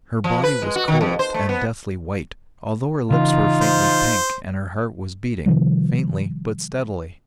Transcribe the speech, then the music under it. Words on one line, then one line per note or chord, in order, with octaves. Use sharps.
Her body was cold, and deathly white, although her lips were faintly pink, and her heart was beating, faintly but steadily.
F3
B4
G#3
F#4
D#3
F2
C5
A3
B3
C#3 E3 D#4 F4
C5
C3 D#3 F3 G3